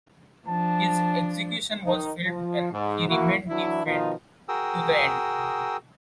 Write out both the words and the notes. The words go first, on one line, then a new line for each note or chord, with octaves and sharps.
His execution was filmed, and he remained defiant to the end.
F3 D4 A5
D#3 D#4
F3
G#2
A#3 E4 F#4
E3 F#3 D4 E4
B2 D#3 F3 D#4 F4
F#4 G#4 A#4 G5 D#6 E6